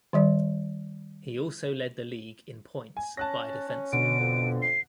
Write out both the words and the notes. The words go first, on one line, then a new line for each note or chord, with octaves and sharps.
He also led the league in points by a defenceman.
D#3 G3 D5
G#5
C#4 A5 F#6 A#6
C#4
B2 D3 D7
F2
C7